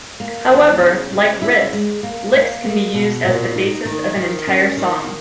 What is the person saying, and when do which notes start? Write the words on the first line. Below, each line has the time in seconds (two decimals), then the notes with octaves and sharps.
However, like riffs, licks can be used as the basis of an entire song.
0.20 A#3
0.52 E2
0.81 C#3
1.12 C#3
1.42 E4
1.73 G#3
2.03 A#3
2.34 A#3
2.65 G#3
2.94 B2
3.24 A#2
3.56 D#4
3.85 D#3
4.16 D#3
4.47 C#4
4.77 D#3